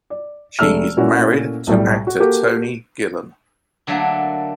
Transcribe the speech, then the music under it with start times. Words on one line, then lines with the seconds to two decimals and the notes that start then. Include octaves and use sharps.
She is married to actor Tony Gillan.
0.10 D5
0.59 F1 G#3 A3 E6 F6
0.97 A#2 A3 C#4 E4 F#4 A4
1.67 B1 A2 G3
2.07 F#4
2.20 A#3 F#4 G4 A4
3.87 D3 F#3 A3 A#3 D4